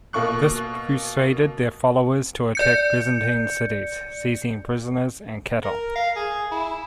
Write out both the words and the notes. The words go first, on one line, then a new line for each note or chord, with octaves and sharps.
This persuaded their followers to attack Byzantine cities, seizing prisoners and cattle.
B2 A#3 C#6 F#6
D5 G6 C#7
A#4
F5
G#4
E4